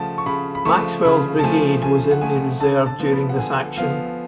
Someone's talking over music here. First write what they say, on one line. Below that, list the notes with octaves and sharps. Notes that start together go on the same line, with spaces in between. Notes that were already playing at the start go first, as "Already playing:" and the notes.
Maxwell's Brigade was in the reserve during this action.
Already playing: C#3 F3 A3 F#5 A5
C#6
C#3 B5
B5
F3 A3 C#6
C#3 B5
A5
F3 A3 G#5
C#3 G#5
F#5
F3 A3 G#5
D3 A5
A5
F3 B3
B5
F#5
D3 G#5
F3 B3 F5